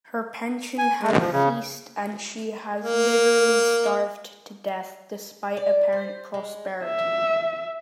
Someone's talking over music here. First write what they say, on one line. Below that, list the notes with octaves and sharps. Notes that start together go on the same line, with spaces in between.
Her pension has ceased and she has literally starved to death, despite apparent prosperity.
G#5
G#3
F3
C#3
A#3
D5
C5
G#3
E5